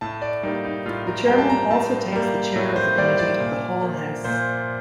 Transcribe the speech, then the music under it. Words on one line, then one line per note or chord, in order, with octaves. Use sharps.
The Chairman also takes the Chair of the Committee of the Whole House.
A2 A5
D5
G3 A#3 D#4
D#4
A2 F4
A#4
G3 A#3 G5
A5
A#5
A2 A5
G3 A#3
A2
C5
G3 A#3 D5
D5
A#2
F3 A#3
A#2 C5